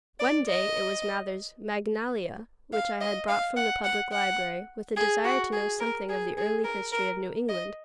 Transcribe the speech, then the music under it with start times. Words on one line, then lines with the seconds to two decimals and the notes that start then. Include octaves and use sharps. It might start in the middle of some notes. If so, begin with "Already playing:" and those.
One day it was Mather's "Magnalia," which I had brought from the public library, with a desire to know something of the early history of New England.
0.20 D5
0.48 D#5
2.73 F5
3.01 D#5
3.28 F5
3.56 F#5
3.84 F#5
4.12 F#5
4.96 G#4
5.24 F#4
5.53 G#4
5.80 A#4
6.09 G#4
6.37 G#4
6.64 A#4
6.92 A#4
7.49 D#5